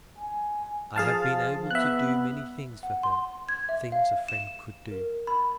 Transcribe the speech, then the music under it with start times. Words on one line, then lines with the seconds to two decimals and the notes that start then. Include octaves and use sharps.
I have been able to do many things for her; things a friend could do.
0.18 G#5
0.96 F3 G#4 F5 A5
1.71 B3 E5 F#6
2.83 F#5
3.03 C6
3.49 G#6
3.69 E5
3.92 F5
4.28 E7
4.91 A#4
5.27 B5